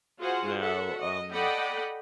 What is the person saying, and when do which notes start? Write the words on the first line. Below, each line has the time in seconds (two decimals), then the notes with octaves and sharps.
Now, um,
0.20 F4 F#4 G#4 C5 F#5
0.61 F#4 A4 E5 F#5
1.00 D#5
1.31 A4 D5 D#5 F#5 G5 B5